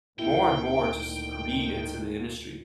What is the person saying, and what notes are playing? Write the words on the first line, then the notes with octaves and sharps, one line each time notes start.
more and more just greed into the industry.
D2 A#2 D#3 E4 G5